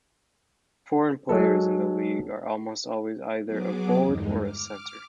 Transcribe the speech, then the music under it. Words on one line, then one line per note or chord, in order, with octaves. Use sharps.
Foreign players in the league are almost always either a forward or center.
F#3 G#3 A4
F#3 B3 G#4 D6
E2 G2 D3 G#3 D#4
D6 F6